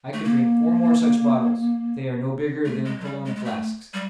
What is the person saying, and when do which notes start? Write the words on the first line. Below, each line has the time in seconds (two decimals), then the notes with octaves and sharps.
I could drink four more such bottles; they are no bigger than cologne flasks.
0.13 A3
0.25 A#3
2.65 A3
2.85 G#3
3.00 F#3
3.05 G3
3.25 G#3
3.36 G#3
3.45 A3
3.94 G3